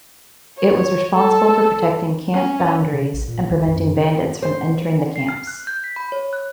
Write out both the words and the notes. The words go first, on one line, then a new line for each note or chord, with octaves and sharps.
It was responsible for protecting camp boundaries and preventing bandits from entering the camps.
C#5
A4
C#4
C3
A1
A#2
C#2
F#2
C#3
C5
G#5
C7
F6
F#6
G6
B6
B5
C#5
F#6